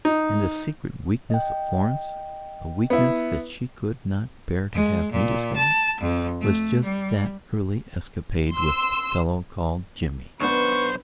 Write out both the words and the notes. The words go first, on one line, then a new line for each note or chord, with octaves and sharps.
And the secret weakness of Florence--the weakness that she could not bear to have me discover, was just that early escapade with the fellow called Jimmy.
D#4
D#5 G5
B3 E4
G#3
A#2
A5
F2
A3
G3
C6 E6
B1 B3 D4 B4 C5 C#6